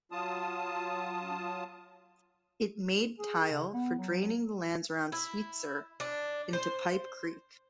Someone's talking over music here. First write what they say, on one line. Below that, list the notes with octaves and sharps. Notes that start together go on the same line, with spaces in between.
It made tile for draining the lands around Sweetser into Pipe Creek.
F#3 F4 A5 D#6
G#4
C#3
B3
F#3
E4
D4
C5